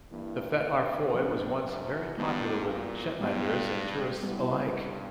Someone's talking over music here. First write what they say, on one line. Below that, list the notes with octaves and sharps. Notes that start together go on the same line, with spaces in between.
The Fetlar Foy was once very popular with Shetlanders and tourists alike.
G2 E3 A#3 E4
G2
G2 F#3 B3 D4 G4 B4
F#2
G2 E3 G3 B3 F#4
A#2
G2 G3 B3 E4 G4
F#2 G3 B3 E4
G2